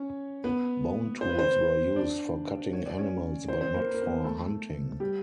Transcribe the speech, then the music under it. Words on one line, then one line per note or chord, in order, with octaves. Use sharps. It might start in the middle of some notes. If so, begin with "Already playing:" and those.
Bone tools were used for cutting animals but not for hunting.
Already playing: C#4 C#5
B3 B4
C5
B4
C4 C5
D4 D5
C#5
D5
C#4 C#5
C4 C5
C4 C5
A#3 A#4
B4
A#4
B3 B4
A3 A4
G3 G4